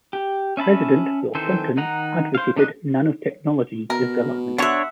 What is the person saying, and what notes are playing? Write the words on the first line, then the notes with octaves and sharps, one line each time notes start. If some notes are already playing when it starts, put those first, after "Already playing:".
President Bill Clinton advocated nanotechnology development.
G4
C#4 E5 A5 B5
D#3 E3 C4 A4 C5
D#3 D#4 F#5 A#5
C5 F5
C#3 D4 D#4 D#5 F#6
B2 A#4
D3 D4 F#4 C#5 E5 F#5